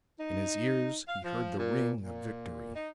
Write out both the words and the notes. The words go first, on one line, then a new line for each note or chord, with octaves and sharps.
In his ears, he heard the ring of victory.
D#4
F5
F3
A#2
A#2
D#4